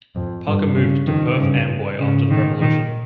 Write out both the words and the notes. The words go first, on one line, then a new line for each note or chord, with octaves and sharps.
Parker moved to Perth Amboy after the Revolution.
F2
G2
C#3
F2 D#3
G2 C#3
G#2 C#3
A#2 D#3
A#2 D#3